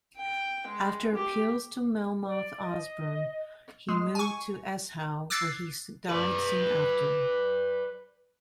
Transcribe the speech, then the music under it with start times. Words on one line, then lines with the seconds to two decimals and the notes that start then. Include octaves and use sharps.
After appeals to Melmoth Osborn he moved to Eshowe, where he died soon after.
0.17 G5
0.67 G#3
1.15 G4
2.26 D5
2.62 D#5
3.89 G#3
4.15 G#5 C#6
5.30 D6 E6 F#6 G#6 A6 C7
6.09 B4 D5